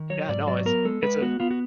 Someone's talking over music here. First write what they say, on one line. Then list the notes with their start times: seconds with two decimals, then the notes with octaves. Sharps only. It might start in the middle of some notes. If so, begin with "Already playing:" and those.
yeah, no, it's it's a
Already playing: D#3
0.10 F#3 C#5
0.29 G#2 D5
0.47 F#3 D5
0.65 B3 A#4
0.85 G#3 A4
1.03 G#3 B4
1.21 B3 F#4
1.40 B3 F4
1.51 F#4